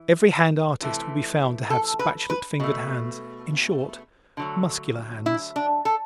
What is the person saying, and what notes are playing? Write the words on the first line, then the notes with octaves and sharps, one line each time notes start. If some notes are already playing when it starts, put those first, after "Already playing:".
Every hand artist will be found to have spatulate-fingered hands--in short, muscular hands.
Already playing: E3
C3 E3 A3
A4
B4
B4
B2 A3
D3 F#3 A3
E4
D4
A4